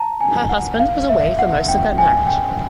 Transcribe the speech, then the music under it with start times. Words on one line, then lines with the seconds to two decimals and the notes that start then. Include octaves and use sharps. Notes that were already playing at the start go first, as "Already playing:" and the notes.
Her husband was away for most of their marriage.
Already playing: A5 A#5
0.21 G#5
0.49 F#5
0.79 F5
1.09 E5
1.39 F#5
1.68 G5
1.98 G#5
2.27 G5